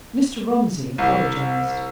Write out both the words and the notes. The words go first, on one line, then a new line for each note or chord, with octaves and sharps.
Mr. Romsey apologized.
C2